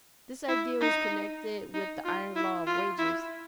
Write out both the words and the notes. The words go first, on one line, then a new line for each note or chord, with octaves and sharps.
This idea was connected with the iron law of wages.
E4
D#4
D#4
F4
E4
F4
E4